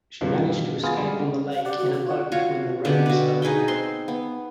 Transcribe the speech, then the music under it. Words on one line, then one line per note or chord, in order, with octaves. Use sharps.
She managed to escape on the lake in a boat when the rain started.
G2 B2 D#3 F3
B3 F4 G#4
G3 G#3
F5
G4 D5 F#5
F#4
F#4
F4 C#5 F#5
F4 F#4 C#5
B2 D3 G4 B4
F#4 B4
D#4 G#4 B4 G5
C4 C6
B3